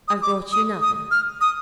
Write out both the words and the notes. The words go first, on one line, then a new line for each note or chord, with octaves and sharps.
'I've brought you nothing.
D#6
D6
D#6
D#6
F6
D#6